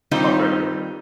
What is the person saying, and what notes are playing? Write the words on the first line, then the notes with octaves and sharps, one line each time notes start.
a lot better.
D#3 G3 C4 D#4 F4 C5